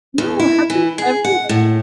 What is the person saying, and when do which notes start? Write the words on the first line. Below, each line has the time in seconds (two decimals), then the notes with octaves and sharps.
No, happens to everyone.
0.18 E2
0.40 E4
0.70 E3
0.98 G#4
1.24 F#5
1.49 A2